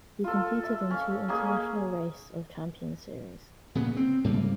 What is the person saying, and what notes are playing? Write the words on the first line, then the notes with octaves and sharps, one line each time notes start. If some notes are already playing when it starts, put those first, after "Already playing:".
He competed in two International Race of Champions series.
F4 A4
E5
C#4 F5
G#3 A#3 C#4 G#4
A#2 C#3 B3
C4
G#2 C#3 G3 A#3